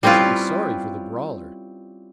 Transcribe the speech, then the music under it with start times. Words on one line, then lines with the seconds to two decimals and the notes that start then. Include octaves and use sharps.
"I should be sorry for the brawler."
0.03 G3 C4 C#4 E4 F4 B4